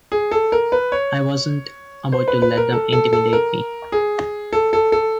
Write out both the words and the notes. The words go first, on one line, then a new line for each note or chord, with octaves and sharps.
I wasn't about to let them intimidate me.
G#4
A4
A#4
B4
C#5
C5
B4
B4
A#4
A4
A4
A4
A#4
G#4
A4
A4
A4